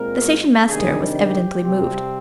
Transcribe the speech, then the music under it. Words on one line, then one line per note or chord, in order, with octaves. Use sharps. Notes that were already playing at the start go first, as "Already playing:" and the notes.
The station-master was evidently moved.
Already playing: A#2 G#3 C4 A#4
C3 D#3 G3 D4 G#4
G4
C3 G3 C4